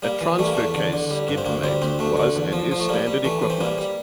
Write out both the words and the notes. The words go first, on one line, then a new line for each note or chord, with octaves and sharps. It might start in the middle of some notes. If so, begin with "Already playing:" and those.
A transfer case skid plate was and is standard equipment.
G3 A#3
E3
G3 A3
A#3
E2 A3
D3
D3
G3
G2
C4
D2 A#3
G3 C4
D2 C4
D2 A3
D3
E2
F3
F3
A3
G3 A#3
G3
E3 A3
E3
C4
G3 A#3
G3